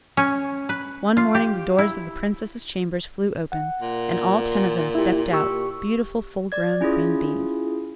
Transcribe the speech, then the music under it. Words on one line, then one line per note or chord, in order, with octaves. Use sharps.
One morning the doors of the Princesses' chambers flew open, and all ten of them stepped out, beautiful full-grown Queen Bees.
C#4
B4
F4
G4
E4
F#5
A#2
E4 G4
G4 C#6 E6
D5 G#6
C#4 E4 F4 G#4